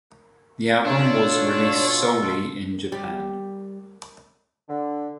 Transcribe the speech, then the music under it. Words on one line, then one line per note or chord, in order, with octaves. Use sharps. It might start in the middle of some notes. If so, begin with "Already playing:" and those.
The album was released solely in Japan.
B2 D4 F4 A4 C#5
G3
D3